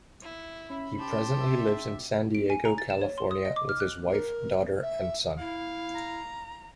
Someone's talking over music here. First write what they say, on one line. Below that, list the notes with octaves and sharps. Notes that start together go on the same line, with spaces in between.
He presently lives in San Diego, California with his wife, daughter, and son.
E4
C#4 E5 B5
G4 C5 A5
E5
D7
G#5
A#5
A6
E7
C#5
C6
D#6
D#5
D6
F6
F#6
A#4
E5
E4 F5
A#5